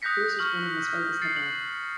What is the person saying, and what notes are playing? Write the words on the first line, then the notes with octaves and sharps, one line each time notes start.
Lewis was born in Las Vegas, Nevada.
D#6 F#6 G6 A#6 B6 C#7
C#6 F6 F#7
A6 C7 C#7
F#7